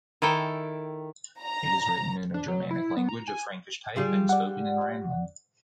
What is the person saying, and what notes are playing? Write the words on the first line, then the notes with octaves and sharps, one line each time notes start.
It is written in a Germanic language of Frankish type and spoken in Rhineland.
D#3 E4 A4 G5
A#5
D4
F#3
E4
B3
A#5
G#5
G3 F4 G#4
D5 F#5